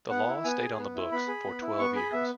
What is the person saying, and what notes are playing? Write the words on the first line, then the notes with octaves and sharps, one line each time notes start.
The law stayed on the books for twelve years.
B3 F#5
E4
B3 G#5
G#4
B3
E4
B3 B5
G#4
B3
E4
B3 C#6
G#4 B5
B3 E5